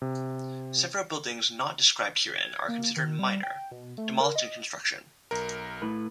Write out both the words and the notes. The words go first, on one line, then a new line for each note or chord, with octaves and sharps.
Several buildings not described herein are considered minor, demolished in construction.
C3
G#6
A#3
D#3
G3
G5
B2
A3
A#4
D#5
B1 A#4
A2 B4